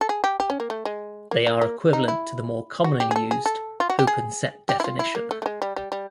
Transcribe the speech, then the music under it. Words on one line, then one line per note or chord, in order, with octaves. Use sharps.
They are equivalent to the more commonly used open set definition.
A4
G#4
G4
G4
C#4
A#3
A3
G#3
A#3
A#3
A#3
D#4
E4
F#4
G4
G#4
A4
G#4
A4
F4
F#4
G4
G#4
G4
E4
F4
E4
A#3
A3
A3
G#3
G3
G3
G3